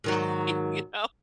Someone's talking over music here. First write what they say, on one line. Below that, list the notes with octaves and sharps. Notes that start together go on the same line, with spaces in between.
Like, you know,
G#2 D#3 F#3